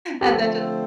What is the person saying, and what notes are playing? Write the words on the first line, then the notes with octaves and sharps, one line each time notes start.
and then, ju
G4
D3 F3 A3 C4 A4